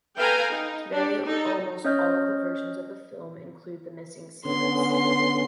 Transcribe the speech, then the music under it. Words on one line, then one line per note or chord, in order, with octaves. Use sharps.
Today, almost all of the versions of the film include the missing scenes.
A4 B4 F5 G5 G#5 A#5
D#4
D4 G4
D#4 A4
C#4 C#5 D#5 F6 G6
D3 B3 C#4 C6
C6